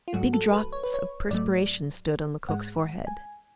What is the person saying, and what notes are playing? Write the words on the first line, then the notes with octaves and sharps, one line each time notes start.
Big drops of perspiration stood on Lecoq's forehead.
F4
G#2 F#3 A3 F#4
A4
B4
C#5
B4
C#5
G#2 F#3 A3 D5
G#2 G#3 F#5
G#5